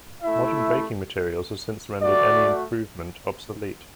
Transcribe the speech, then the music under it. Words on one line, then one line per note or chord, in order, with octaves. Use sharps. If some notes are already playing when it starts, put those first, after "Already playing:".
Modern braking materials have since rendered any improvement obsolete.
A3 E4 E5
A3 F#4 D5